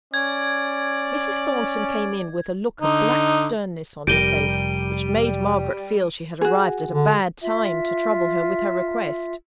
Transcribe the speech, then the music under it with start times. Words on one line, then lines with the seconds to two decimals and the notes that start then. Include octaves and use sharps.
Mrs. Thornton came in with a look of black sternness on her face, which made Margaret feel she had arrived at a bad time to trouble her with her request.
0.14 C#4 D5 G#6
2.81 D3 D#4
4.07 F1 G3 G4 A#4 D7 D#7 G7
6.41 F#4 G#4
6.90 D3
7.41 F4 E5